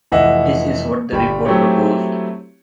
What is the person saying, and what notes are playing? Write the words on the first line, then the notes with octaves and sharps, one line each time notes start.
This is what the report proposed.
F1 E3 D#5 E5 F#5
G1 G3 G5 B5
F#3 A3 C4 E4 G4 C#5